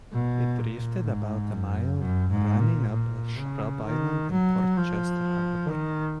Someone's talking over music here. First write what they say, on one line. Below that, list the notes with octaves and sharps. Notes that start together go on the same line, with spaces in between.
It drifted about a mile, running up on Scrub Island in Port Chester harbor.
B2
A#2
G#2
F#2
F#2
G#2
A#2
A#2
C#3
D#3
F#3
F3
D#3